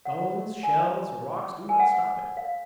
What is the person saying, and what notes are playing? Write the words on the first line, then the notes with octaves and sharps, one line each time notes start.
Stones, shells, or rocks do not stop it.
F#5
G#5
G#5
F#5
F5